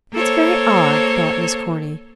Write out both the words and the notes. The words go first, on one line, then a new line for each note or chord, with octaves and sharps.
"It's very odd," thought Miss Corny.
A#3 A4 C5 C#5